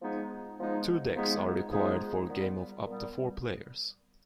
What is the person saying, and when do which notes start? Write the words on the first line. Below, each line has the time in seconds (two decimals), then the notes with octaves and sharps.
Two decks are required for game of up to four players.
0.02 F3 G#3 B3 D#4 G#4
0.59 F3 G#3 B3 D#4 G#4
1.15 F3 G#3 B3 D#4 G#4
1.72 F3 G#3 B3 D#4 G#4
2.29 A#2 G3 B3
2.86 A#2 G3 B3